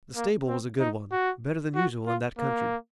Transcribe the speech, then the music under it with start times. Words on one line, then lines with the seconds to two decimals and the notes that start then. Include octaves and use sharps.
The stable was a good one, better than usual in that country.
0.16 A#3
0.47 C4
0.79 D#4
1.12 F#4
1.75 F#4
2.06 F4
2.38 A#3